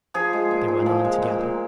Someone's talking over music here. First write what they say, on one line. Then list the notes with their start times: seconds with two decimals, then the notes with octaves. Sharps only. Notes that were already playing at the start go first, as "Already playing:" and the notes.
They went on together.
0.14 F3 G#4
0.33 G#3
0.51 A#2
0.68 A#2
0.86 F3
1.05 G#3
1.22 A#2
1.41 A#2